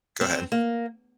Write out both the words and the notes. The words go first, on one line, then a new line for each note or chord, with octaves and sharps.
go ahead.
C4
A#3